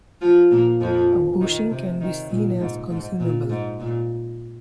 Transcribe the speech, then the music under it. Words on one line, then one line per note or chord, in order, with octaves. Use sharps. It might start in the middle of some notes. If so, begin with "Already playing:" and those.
A bushing can be seen as "consumable".
F3 F4
A#2 A#3
F2 F3
D#3
C3
D#3
A#2
G#2
G#2
A#2
G#2
A#2